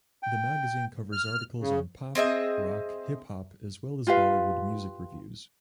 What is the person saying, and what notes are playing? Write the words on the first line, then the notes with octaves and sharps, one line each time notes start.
The magazine covers articles on pop, rock, hip-hop as well as Bollywood music reviews.
G5
F6
C#3
C4 G#4 D#5 E5
F4 G4 B4 F5